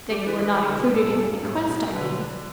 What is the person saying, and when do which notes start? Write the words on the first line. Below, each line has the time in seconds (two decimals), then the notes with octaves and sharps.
"That you are not included in the bequest, I mean."
0.10 G3 G4
0.21 D5
0.26 E3 B4
0.43 E3 B4
0.55 G4
0.60 D3
0.68 A4
0.76 B2 B4
0.93 A2 A4
1.10 E2
1.26 G2
1.39 G2
1.43 A2
1.68 B2
1.88 A4
1.93 D3 B4